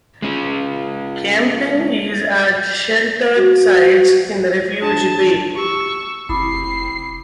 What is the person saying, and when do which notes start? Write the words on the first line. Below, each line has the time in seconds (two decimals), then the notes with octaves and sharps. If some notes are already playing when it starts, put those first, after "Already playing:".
Camping is at sheltered sites in Refuge Bay.
0.22 G#3 C#4
3.36 F#4
4.82 D4 A5
5.56 G4 C#6 E6
6.29 F1 C4 E4 B5 D6 D#6 C7